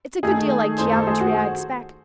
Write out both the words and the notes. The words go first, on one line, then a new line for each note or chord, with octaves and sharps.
It's a good deal like geometry, I expect.
D#3 A3 D#4 G#4
D#3 A3 D#4 C5
A4
G#4
F#4